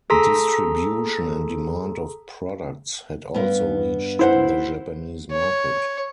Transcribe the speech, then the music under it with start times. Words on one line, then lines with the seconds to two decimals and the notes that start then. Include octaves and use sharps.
Distribution and demand of products had also reached the Japanese market.
0.10 G#4 A4 A#5 C6 B6
3.34 G2 B3
4.19 E4 C5 F#5
5.31 C#5